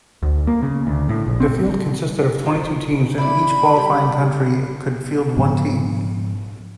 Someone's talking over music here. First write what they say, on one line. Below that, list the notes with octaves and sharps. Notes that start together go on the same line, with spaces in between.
The field consisted of twenty-two teams and each qualifying country could field one team.
D2
A#3
C#3
D2
A2
A#1
C4
F2 F4 C5
E4 D5 B5
G3 G4
G#2 F3 B3